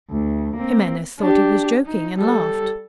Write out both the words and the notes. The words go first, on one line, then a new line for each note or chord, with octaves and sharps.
Jimenez thought he was joking, and laughed.
D2
A#3 C4
D4 G4
D#4
G3 A4